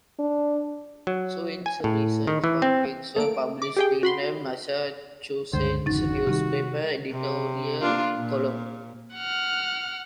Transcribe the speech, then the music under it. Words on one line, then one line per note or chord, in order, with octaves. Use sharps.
Swint's research findings were published in a Massachusetts newspaper editorial column.
D4
F#3
G#5
A2
D#3
E3
C4
A3 A#3 D7
D6
G4 G#4 G5
F#4 B5 C6
C#2 G2 D3 G#3 C5
G#1 F2 C#3 D#4 F#4 A6
C3 D#3 G3 D#4 G4
C3
A#3 D4 F4
A#2
F#5 F6